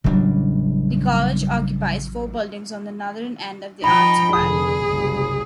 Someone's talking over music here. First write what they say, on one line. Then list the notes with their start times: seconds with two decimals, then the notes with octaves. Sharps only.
The college occupies four buildings on the northern end of the Arts Quad.
0.04 A1 C#3 F#3 G3 D4
3.84 F3 D#4 G5 B5
4.33 F1 D3 G#4 D#6
4.85 F#1 C2